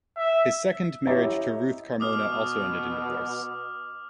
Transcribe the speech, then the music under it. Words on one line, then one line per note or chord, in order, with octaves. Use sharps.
His second marriage to Ruth Carmona also ended in divorce.
E5
E4 G4 C#5 D#5 E5 A#5
B2 D6 D#6 F6